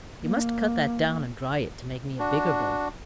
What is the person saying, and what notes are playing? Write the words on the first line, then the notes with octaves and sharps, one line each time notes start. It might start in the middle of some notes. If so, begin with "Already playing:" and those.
You must cut that down and dry it to make me a bigger bow.
A#3
D4 F#4